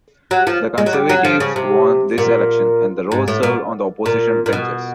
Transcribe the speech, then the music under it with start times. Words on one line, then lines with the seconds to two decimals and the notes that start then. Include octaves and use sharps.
The Conservatives won this election, and Ross served on the opposition benches.
0.31 F#3
0.47 F3
0.78 G#3
0.86 F#3
0.93 G3
1.09 F#3
1.25 F3
1.40 C#3
1.56 C3
2.18 A#2
3.12 G#2
3.28 A2
3.43 A#2
4.06 A#2
4.46 A#2
4.53 B2